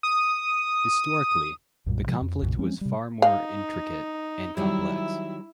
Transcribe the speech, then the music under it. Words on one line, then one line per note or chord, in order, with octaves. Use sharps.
Historically, the conflict was far more intricate and complex.
D#6
B1 F#2 A#2 G3
C3 F3 G#3
F2
B1 F#2 A#2 C#3
F3 G#3 C4 C#4
C3 G3
D#4 F5
D#3 F#3 G3 E4 E5